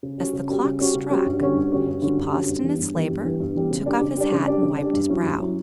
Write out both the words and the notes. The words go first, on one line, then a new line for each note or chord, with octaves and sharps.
As the clock struck, he paused in his labor, took off his hat, and wiped his brow.
C#3
G3 C#4 F#4
C#3
G3 C#4 F#4
C#3
G3 C#4 F#4
C#3
G3 C#4 F#4
G2
D3 G3 C#4 F#4
G2
D3 G3 C#4 F#4
G2
D3 G3 C#4 F#4
G2
D3 G3 C#4 F#4
G2
E3 G3 B3
G2
E3 G3 B3
G2
E3 G3 B3
G2
E3 G3 B3
C#3
G3 D4
C#3
G3 D4
C#3
G3 D4
C#3
G3 D4
G2
F#3 C#4 E4
G2
F#3 C#4 E4